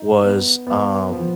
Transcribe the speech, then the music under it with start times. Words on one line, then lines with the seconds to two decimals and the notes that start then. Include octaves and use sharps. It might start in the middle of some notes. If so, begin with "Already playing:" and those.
was, um
Already playing: D#4
0.23 B3
0.67 B3
1.12 F3